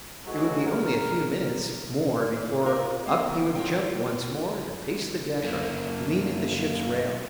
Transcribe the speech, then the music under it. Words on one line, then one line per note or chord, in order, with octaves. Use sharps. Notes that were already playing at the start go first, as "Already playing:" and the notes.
It would be only a few minutes more before up he would jump once more to pace the deck or lean at the ship's rail.
A1 G#2 F#3
G#4 A#4
F4 A#4 D5
A#3 B3
F4 A#4 C#5 G5
F#2 A#3